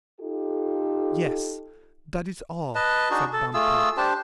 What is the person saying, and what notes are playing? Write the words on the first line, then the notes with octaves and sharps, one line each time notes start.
"Yes, that is all," said Bumpo.
D#4 F4 G4 A4
B4 D#5 A5
D4 D#4 F#4 G#4
A4
A3 F4 G#4 E6
D4 G4 C5 A5